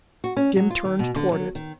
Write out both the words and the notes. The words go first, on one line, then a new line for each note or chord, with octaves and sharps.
Jim turned toward it.
F#4
C#4
F#3
F4
D#3
B2
D3
F#3
D#3